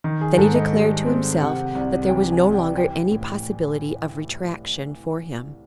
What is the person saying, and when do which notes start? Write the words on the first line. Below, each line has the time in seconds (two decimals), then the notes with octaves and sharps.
Then he declared to himself that there was no longer any possibility of retractation for him.
0.04 D#3
0.21 G#4
0.37 G#2 A4
0.55 D#5
0.73 G3
1.06 C4
1.41 C3 F#5
1.75 C2
2.09 E3 G5
2.32 G#5
2.43 G3
2.54 G5
2.77 E3 G5
3.11 A2